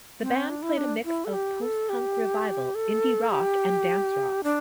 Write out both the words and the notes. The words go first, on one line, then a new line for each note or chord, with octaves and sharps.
The band played a mix of post-punk revival, indie rock, and dance-rock.
C4
D4
E4
D4
E4
A4
G4
A4
G4
A4
G4
D4